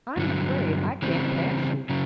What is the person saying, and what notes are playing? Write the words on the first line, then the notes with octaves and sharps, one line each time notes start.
"I'm afraid I can't pass you."
G2 D3 F#3
C#3 E3 G3 C4
C#3 F#3